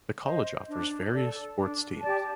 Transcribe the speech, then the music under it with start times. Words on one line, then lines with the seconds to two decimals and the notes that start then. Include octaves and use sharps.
The college offers various sports teams.
0.24 C5 D#5
0.68 D4
1.13 A4 D5
1.57 D4
2.01 G4 D5 A5